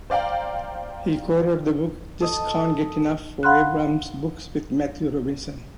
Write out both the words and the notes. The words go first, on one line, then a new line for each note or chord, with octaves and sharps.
He co-wrote the book "Just Can't Get Enough" for Abrams Books with Matthew Robinson.
C5 D5 F5 G5 A#5
A4 D#5
F5 F#5 B5 C6 F6 F#6